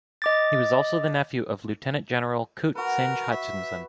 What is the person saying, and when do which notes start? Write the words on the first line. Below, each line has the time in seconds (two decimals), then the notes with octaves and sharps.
He was also the nephew of Lieutenant General Coote Synge-Hutchinson.
0.22 D#5 D6 A6
2.75 F#4 A#4 B4
3.31 E5